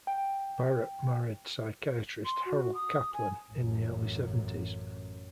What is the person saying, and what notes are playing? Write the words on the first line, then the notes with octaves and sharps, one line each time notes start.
Barrett married psychiatrist Harold Kaplan in the early seventies.
G5
C6
F#4
D#6
G#5
A1 F#2